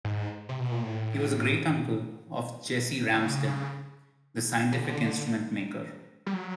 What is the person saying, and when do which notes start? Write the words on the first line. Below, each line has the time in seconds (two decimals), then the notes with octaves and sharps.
He was a great-uncle of Jesse Ramsden, the scientific instrument maker.
0.05 G#2
0.49 C3
0.60 B2
0.72 A#2
0.83 A2
3.14 D3
3.19 C#3
4.72 C#3
4.77 D3
6.26 G3
6.34 F#3